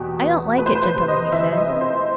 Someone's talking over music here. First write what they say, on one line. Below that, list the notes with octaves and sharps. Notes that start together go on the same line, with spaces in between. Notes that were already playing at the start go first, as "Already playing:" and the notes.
'I don't like it, gentlemen,' he said.
Already playing: E2 B2 F#4 G4
B3
A3 B4
C5
B4
C5
C3
D#5
E3 E5
D#5
C4
C5